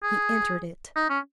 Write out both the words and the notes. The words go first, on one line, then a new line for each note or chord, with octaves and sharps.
He entered it.
G#4
D#4
C#4